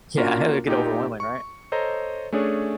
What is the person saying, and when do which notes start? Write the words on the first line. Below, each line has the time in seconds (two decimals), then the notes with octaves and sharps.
Yeah, it would get overwhelming, right?
0.17 A#3 C#4 D4 F4 F#4 A#4
0.67 A#2 D#4 G4
1.20 C#6
1.72 A4 C5 C#5 D#5 A#5
2.32 A3 C#4 D4 G#4 C#5